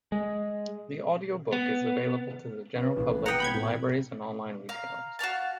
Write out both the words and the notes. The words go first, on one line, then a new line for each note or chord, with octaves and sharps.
The audio book is available to the general public in libraries and online retailers.
G#3
B3
C#4 B4
A#1 C#3 E3
F#5 G5 A#5 D#6
B2 B5 G6 G#6
A2 C4
F5 A#5
F#4 D5 F5 A5